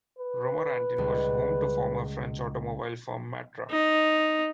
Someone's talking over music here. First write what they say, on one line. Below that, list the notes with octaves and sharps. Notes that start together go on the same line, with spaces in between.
Romorantin was home to former French automobile firm Matra.
B4
C#2 G3
D#4